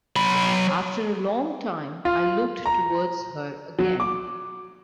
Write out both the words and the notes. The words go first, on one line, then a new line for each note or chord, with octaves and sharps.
After a long time, I looked towards her again.
F#3 B5
F4
A#5
F#3
D6